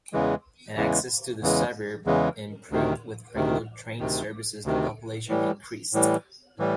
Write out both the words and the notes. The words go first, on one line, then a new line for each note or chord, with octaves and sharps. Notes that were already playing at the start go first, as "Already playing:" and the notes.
As access to the suburb improved with regular train services the population increased.
E2 C#3 E3 G#3
E2 C#3 E3 G#3
E2 C#3 E3 G#3
E2 C#3 E3 G#3
D2 C3 D#3
D2 C3 D#3
D2 C3 D#3
D2 C3 D#3
A2 E3 G3
A2 E3 G3
A2 E3 G3